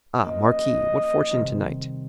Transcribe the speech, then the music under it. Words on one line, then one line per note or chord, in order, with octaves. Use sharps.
"Ah! marquis, what fortune to-night?"
F3 A#3 C#4 F4 A#4 D#5
C3 D#3 G3 C4 D#4